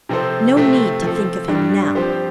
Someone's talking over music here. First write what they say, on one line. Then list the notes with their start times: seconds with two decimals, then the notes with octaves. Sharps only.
No need to think of him now.
0.09 C3 F3 C4 A4 C5
0.56 C3 F3 A3 C4
1.02 F3 C4 A4
1.48 G2 G3 D4
1.95 F3 C4 G4 C5